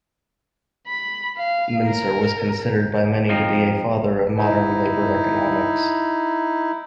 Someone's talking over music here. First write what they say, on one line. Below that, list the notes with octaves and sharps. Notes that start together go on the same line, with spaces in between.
Mincer was considered by many to be a father of modern labor economics.
B5
F5
A#4
F3 C4 D#4
D#4 E4